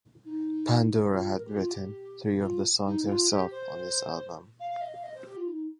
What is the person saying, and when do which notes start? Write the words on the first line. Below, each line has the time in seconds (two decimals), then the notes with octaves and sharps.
Pandora had written three of the songs herself on this album.
0.24 D#4
1.12 F4
1.34 A#4
1.44 G4
1.56 F4
1.68 G4
2.38 G4
2.42 F4
2.86 D#4
3.03 D#4
3.07 F4
3.29 G4
3.51 C5
4.59 F5
4.70 F5
4.81 D#5
4.92 F5
5.03 D#5
5.14 C5
5.25 G4
5.36 F4
5.46 D#4